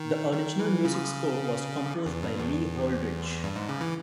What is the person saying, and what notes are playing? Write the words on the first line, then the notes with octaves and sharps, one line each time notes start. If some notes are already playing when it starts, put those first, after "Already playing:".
The original music score was composed by Lee Holdridge.
Already playing: D#3
D#3
E3
C#3
E2
G2
E2
G2
G#2
C#3
E3